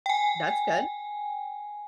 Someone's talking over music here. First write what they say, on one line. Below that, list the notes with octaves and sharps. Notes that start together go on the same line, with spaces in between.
That's good.
G5 G#5